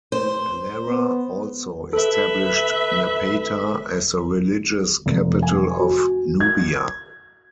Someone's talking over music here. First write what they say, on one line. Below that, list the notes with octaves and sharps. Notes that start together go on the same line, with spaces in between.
Alara also established Napata as the religious capital of Nubia.
C5
B3
A4 B4 E5
F1
G#5
F#4
G#6